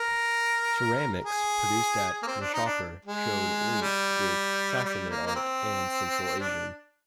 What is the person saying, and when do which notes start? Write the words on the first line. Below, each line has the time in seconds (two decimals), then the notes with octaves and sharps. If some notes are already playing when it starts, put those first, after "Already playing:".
Ceramics produced at Nishapur showed links with Sassanid art and Central Asian.
Already playing: A#4
1.24 G#4
2.23 A#3
2.27 C4
2.41 D4
2.54 D#4
2.66 D4
3.05 G#3
3.82 G3
4.85 G3
5.11 A#3
5.26 A#3
5.36 C4
6.40 D4